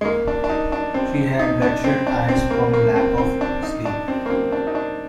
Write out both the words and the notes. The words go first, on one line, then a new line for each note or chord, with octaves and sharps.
She had bloodshot eyes from lack of sleep.
G#3
A#3
D4
D4
D#4
D4
C4
D#4
D4
C4
D4
C4
A#3
A#3
C4
C4
D4
D#4
D4
C4
A#3
C4
D4
D#4
D4